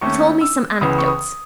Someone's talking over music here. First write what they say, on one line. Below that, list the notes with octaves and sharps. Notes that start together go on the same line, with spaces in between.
He told me some anecdotes.
D#2 D#3 A3 C#4 C#6
E6
C#2 C#3 E3 B3 D#6
C#6
D#6